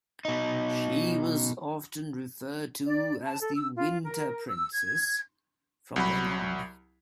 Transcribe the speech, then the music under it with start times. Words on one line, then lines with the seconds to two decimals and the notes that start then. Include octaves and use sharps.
She was often referred to as the "Winter Princess" from then on.
0.25 B2 D#4
2.86 D5
3.25 A5
3.41 A4
3.56 E6
3.76 F4
4.04 A#4
4.47 E6
4.73 G#6
5.96 C2 F#3 B5